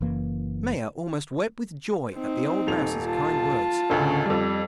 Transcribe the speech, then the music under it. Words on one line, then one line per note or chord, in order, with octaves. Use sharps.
Maia almost wept with joy at the old mouse's kind words.
F#1 F#2 E3 A#3
C4 D#4
D#1 F7
F4 A5
A1 D2 C#3
F2 G3